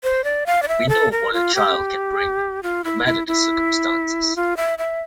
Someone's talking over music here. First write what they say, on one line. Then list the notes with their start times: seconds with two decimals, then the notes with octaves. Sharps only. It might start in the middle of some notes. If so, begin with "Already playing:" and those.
We know what a child can bring, no matter the circumstances.
0.04 C5
0.24 D5
0.46 F5
0.63 D5
0.68 E5
0.89 A4
1.12 A#4
1.33 F4
1.55 G4
2.63 F4
2.84 E4
3.06 E4
3.27 E4
4.36 F4
4.57 E5
4.78 E5